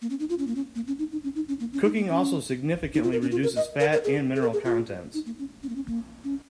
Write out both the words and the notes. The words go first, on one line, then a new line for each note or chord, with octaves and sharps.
Cooking also significantly reduces fat and mineral contents.
A#3
C#4
D#4
F4
C#4
A#3
C#4
A#3
C#4
D#4
D#4
C#4
D#4
C#4
A#3
C#4
D#4
A#3
C#4
D#4
F4
A#4
C#4
F4
A#4
D#5
A#4
A#4
G#4
G#4
A#4
G#4
F4
D#4
A#3
C#4
C#4
A#3
C#4
A#3
C#4